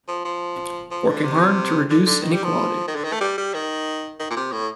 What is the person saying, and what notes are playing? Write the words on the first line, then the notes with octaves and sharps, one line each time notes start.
Working hard to reduce inequality.
F3
F3
F3
D3
C3
D3
D3
D#3
G3
F3
D#3
D3
D#3
A3
G3
G3
D#3
D#3
A#2
C3
A2